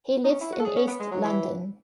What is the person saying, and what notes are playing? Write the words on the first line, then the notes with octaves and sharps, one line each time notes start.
He lives in east London.
D#4
C#4
E4
F#4
A4
G#4
C#4
B3
G#3
F#3
E3